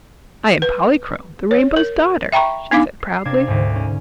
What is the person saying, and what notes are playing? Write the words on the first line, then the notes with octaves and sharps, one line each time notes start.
"I am Polychrome, the Rainbow's Daughter," she said proudly.
B4
C#5
A#4
E5 G5 A#5 B5 C#6
B3 D4 D#4 F5 D6
C7
C3 A#3 D4 G#6
D2 G#2
C#4